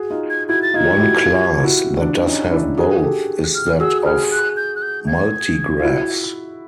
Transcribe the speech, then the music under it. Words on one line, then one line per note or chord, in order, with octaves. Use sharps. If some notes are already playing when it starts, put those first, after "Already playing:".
One class that does have both is that of multigraphs.
Already playing: F#4 G#4
D#4 F4
G#6
E4 F#4 G#6
A6
D#4 F4 G#6
G4
E4 F#4
F4 G4
E4 F#4
D4
C#4 D#4
D4 E4
F#4 G#4
G4 A4
F6
F#4 G#4 E6
F#4 G#4 F6
F#6
G6
F#6
G6
G#6
F4
E4 F#4